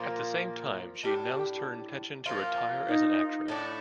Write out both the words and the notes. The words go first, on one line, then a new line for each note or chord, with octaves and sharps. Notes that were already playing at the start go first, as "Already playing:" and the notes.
At the same time she announced her intention to retire as an actress.
Already playing: A#2 F3 A#3 F4
A2 G3 D4 G4
G4
F3 A#3 F4
D#4
A2 A3 D4